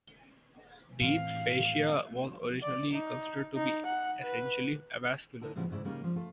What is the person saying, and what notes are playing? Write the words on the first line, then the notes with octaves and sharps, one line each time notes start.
Deep fascia was originally considered to be essentially avascular.
A2 E3 C4 F5
D5
D#4
D#4
F#5
B4
D3 D#4 E4 A4
A2 C#3 F3 G3 B3 E4
D2 G#2 C#3 E4 D5
C#3 G3 A#3 C#4 D#4
F3 G3
A3 F4 A4